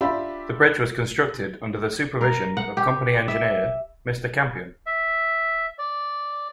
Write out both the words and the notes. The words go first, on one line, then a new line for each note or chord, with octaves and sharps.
The bridge was constructed under the supervision of the company engineer, Mr. Campion.
D4 F4 G4 E5 B5
A#4
F#5
G4
E5
E5
D5